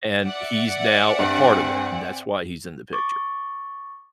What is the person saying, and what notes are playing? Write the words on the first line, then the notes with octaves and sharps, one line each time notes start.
and he's now a part of it, and that's why he's in the picture.
D5 E5 F#5
G2 C4 G#5
C#6 D6 A6